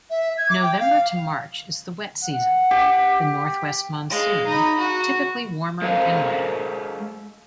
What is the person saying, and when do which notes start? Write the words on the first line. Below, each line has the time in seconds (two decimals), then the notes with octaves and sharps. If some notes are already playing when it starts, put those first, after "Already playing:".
November to March is the wet season-the northwest monsoon-typically warmer and wetter.
0.10 E5
0.38 G#6
0.49 D6
0.63 G5
0.80 F5
2.24 F#5
2.71 G4
4.10 G#3 F5
4.46 D#4 B5
4.79 F#4
5.82 G#3 A4 A#4 C5 F5